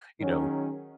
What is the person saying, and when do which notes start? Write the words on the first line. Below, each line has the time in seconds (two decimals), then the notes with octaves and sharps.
you know,
0.19 D#3 F#3 C#4 G#4